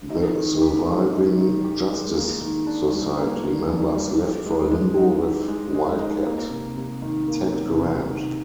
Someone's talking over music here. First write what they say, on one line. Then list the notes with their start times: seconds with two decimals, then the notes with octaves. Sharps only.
The surviving Justice Society members left for Limbo with Wildcat Ted Grant.
0.10 D#4
0.35 D#3
0.61 G4
0.87 G#3
1.12 D#4
1.38 D#3
1.64 G4
1.89 G#3
2.15 A#3
2.41 D#3
2.66 D4
2.93 G3
3.17 A#3
3.43 D#3
3.69 D4
3.95 G3
4.20 G4
4.46 G#3
4.71 G#3
4.97 D#4
5.23 G4
5.48 G#3
5.74 G#3
5.99 D#4
6.25 A#3
6.50 C3
6.77 C3
7.02 D#3
7.28 A#3
7.53 C3
7.79 C3
8.04 D#3